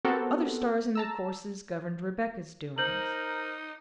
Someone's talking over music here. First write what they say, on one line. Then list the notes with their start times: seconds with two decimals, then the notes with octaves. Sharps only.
Other stars in their courses governed Rebecca's doings.
0.05 B3 C4 F#4 G4 A4 A#4
0.95 A5 A#5 E6
2.78 D#4 A#4 C5 G6 F#7